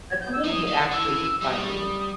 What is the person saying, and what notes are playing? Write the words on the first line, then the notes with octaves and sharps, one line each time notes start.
That's a little bit actually funny.
G#6
G6
E6
E3 D#6
D#3
E3 E6
G3 E6
D#6
C#6
D#6